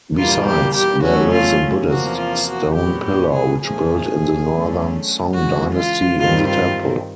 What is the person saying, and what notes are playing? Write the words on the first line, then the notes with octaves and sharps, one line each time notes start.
Besides, there is a Buddhist stone pillar which built in the Northern Song Dynasty in the temple.
E2 B2 G3 A#3 F4
G4
G4
C#3 F#3 A3 C#4 F#4
F4
E2 C3 F3 A#3 F#4
F4
F#4
A#2 F#3 B3 G4
G4
G#4
A#2 F3 A3 G#4
D3 F#3 A3 C#4
C#3 E3 G#3 F#4
F4
G2 D#3 G3 C4 F4
F4